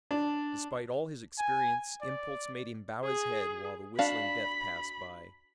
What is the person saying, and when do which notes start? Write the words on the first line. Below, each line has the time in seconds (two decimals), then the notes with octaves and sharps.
Despite all his experience impulse made him bow his head while the whistling death passed by.
0.11 D4
1.39 G#5
2.01 D5
3.04 G#4
3.99 D4 F#4 F5 B5